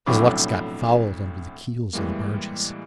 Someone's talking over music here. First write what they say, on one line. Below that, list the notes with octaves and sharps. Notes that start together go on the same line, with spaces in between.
His luck's got fouled under the keels of the barges.
B1 F2 A2 D3 C#6 D6
A2 E3 G3 G#3 A#3